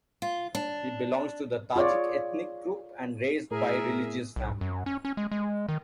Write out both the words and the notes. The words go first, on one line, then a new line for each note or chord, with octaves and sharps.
He belongs to the Tajik ethnic group and raised by religious family.
F4
D4
F4 G#4 C#5 D5
A2 G#4 A#4 E5
B1
F#2
C#4
C#4
G#3
G#3
D#3